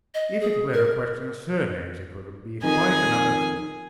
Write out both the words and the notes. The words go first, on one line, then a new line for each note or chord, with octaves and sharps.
If it were a question of surnames, it would be quite another thing.
D#5
G#4
A#4
F2 D#3 G#4 G#5